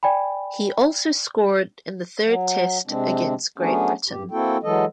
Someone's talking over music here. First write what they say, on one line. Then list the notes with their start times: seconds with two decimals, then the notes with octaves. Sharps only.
He also scored in the third test against Great Britain.
0.03 D5 G5 G#5 B5
2.24 F#3
2.87 C3 G#3 C4 D4
3.58 F#3 A3 B3 C#4 D4 G#4
4.08 G2 G4
4.31 A#3 C4 E4 F#4 A4 G5
4.63 E3 F#3 G#3 A4 D#5